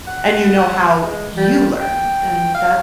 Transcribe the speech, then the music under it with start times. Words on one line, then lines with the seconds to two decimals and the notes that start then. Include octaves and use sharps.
and you know how you learn, and that
0.07 F#5
1.04 G#3
1.37 G3
1.81 G5
2.55 F5